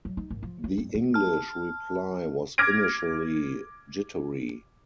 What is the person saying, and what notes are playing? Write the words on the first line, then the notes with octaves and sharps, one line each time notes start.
The English reply was initially jittery.
F#3
D#4
G#1
F3
F#3
G2
D4
A5 F6
D6 F6 G#6 A#6 D7